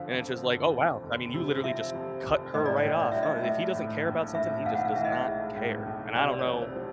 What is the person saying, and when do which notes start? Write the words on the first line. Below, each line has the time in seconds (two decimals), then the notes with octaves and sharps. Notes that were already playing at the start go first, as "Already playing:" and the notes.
And it's just, like, oh, wow. I mean, you literally just cut her right off, huh. If he doesn't care about something, he just does not care, and I don't know
Already playing: G1 F2 D3 F3 F5
0.13 F2
0.43 G1
0.73 F2
1.03 F1
1.34 C3
1.64 F3 E5
1.94 F2
2.24 F1
2.54 A2 D#5
2.66 D5
2.76 C#5
2.84 A#1
3.00 D5
3.12 F#3 E5
3.23 D#5
3.44 A3 E5
3.75 A2
4.05 A#1
4.35 A2 E5
4.65 B1 F5
4.75 F#5
4.85 F5
4.95 E3 E5
5.05 D#5
5.13 E5
5.25 G#3
5.56 A2
5.86 B1
6.16 C3 D5
6.39 C#5
6.46 F2
6.62 C5
6.76 F3